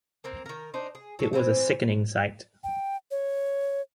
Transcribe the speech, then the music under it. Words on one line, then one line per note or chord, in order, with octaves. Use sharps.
It was a sickening sight.
A#3 C4 A#4
D#3 A#4
D4 D#4 C5
G#4
F#3 A4
E3 C4 C5
G5
C#5